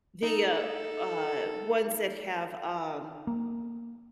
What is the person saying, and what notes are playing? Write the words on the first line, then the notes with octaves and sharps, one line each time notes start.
the, uh uh, ones that have, um
D#4 A4
A#3